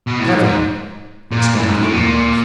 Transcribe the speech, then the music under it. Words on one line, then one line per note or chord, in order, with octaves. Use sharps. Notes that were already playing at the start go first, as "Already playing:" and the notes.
"Seven!" exclaimed the Indian youth.
B2
A2
G#2
G#2
A#2
A2
G#2
A2
A#2